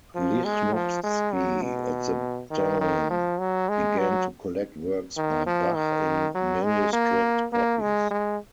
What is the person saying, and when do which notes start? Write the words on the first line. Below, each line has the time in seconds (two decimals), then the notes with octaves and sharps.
Lichnowsky at the time began to collect works by Bach in manuscript copies.
0.15 F3
0.45 G#3
0.73 F3
1.04 G#3
1.34 F#3
1.63 B2
2.50 D#3
2.80 D#3
3.10 F3
3.39 F#3
3.69 G#3
3.98 F#3
5.17 D#3
5.46 F3
5.76 D#3
6.35 F#3
6.64 G#3
6.93 A#3
7.52 A#3
7.81 G#3
8.11 G#3